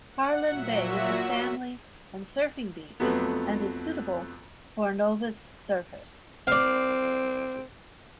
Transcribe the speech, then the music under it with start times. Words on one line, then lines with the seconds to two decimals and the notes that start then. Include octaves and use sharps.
Harlyn Bay is a family and surfing beach and is suitable for novice surfers.
0.11 F#5
0.48 A#2 F#3 F#4 E5
3.00 F2 F#3 A3 B3
6.47 C4 D5 F5